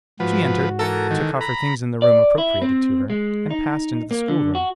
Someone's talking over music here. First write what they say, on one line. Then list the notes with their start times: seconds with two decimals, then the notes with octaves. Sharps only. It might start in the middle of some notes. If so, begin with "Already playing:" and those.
She entered, took off her things in the room appropriated to her, and passed into the schoolroom.
0.20 G#2 F3 F#4 B4
0.79 E3 A4 A#4
1.11 D#3
1.41 A#5 B5
2.02 D5
2.38 E4
2.62 C4
3.10 G#3
3.51 D#4
4.11 A#3
4.28 D3
4.55 F#4